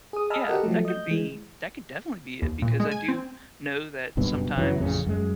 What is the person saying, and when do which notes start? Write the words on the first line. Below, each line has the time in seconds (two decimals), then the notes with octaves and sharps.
Yeah, that could be that could definitely be it because I do know that sometimes
0.13 G#4 D#6
0.30 D#5 G#5 A5 B5 E6 F6
0.47 F#4 G4 A4 A#4 D#5 F#5
0.64 F3 F#3 A3
0.85 D#5 G6
1.08 E3 G#3
2.42 D#2
2.62 A#2
2.80 G#3
2.91 G#5
3.08 C4
4.17 F#1 G2 B2 B3
4.57 F#2 C#3 E3 F#3
4.78 A1 F2 C#3 C#4
5.06 F#2 G#3